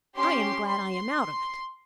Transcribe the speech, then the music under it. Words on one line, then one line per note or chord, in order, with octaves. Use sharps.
I am glad I am out of it.
C#4 G4 C6
C6